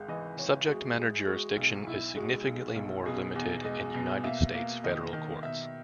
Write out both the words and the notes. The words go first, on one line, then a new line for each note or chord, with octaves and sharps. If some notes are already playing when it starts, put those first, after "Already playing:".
Subject-matter jurisdiction is significantly more limited in United States federal courts.
Already playing: G#1 G#3
E3 D#5
E3 C#5
G#3 F#4
G#3
G#3 F#4
B1
B1 E4
G#3 F#4
B1
B1
B2 G#4
E2
G#3 D#5
B2
A#3 E5
A#3
D#3 D#5
D#3
B2 E5